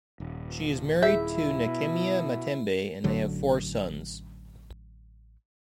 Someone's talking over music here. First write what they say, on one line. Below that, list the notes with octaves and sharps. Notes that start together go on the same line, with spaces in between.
She is married to Nekemia Matembe and they have four sons.
D#1
E4 G#4 E5
B2
A1 D3 F#3